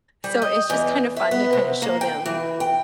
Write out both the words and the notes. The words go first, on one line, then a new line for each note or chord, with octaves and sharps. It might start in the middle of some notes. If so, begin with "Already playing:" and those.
so, it's just kind of fun to kind of show them,
G3
D#5
E2
E5
B3
C3
A#3
G5
E3
G5